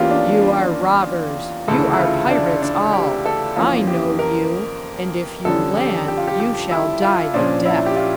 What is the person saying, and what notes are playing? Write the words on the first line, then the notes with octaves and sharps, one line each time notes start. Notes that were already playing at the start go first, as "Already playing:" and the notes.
"You are robbers, you are pirates all; I know you; and if you land, you shall die the death."
Already playing: E2 E3 A#3 C#4 F4 G4
D4
D4
D2 C#3 E3 A4
E4
F4
D4
D4
G4
A4
F2 E3 A#3 C#4 F4
F4
G4
A#4
F2 D3 G3 C#4 A4
G4
G4
F4
G4
G4
E4
F4
A#2 F3 C#4 D4
E4
G4
F4